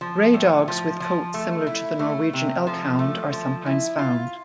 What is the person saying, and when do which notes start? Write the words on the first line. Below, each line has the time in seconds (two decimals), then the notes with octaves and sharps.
Gray dogs with coats similar to the Norwegian Elkhound are sometimes found.
0.01 F3
0.34 A2
0.68 F3
1.00 F3
1.34 A3
1.67 E4
1.99 A3
2.33 C3
2.67 F3
2.99 A3
3.32 F3
3.66 E4
3.98 F4